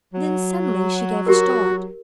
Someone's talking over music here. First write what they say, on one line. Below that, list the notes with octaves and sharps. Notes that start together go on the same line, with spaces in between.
Then suddenly she gave a start.
F#3
F#4 G4 A#4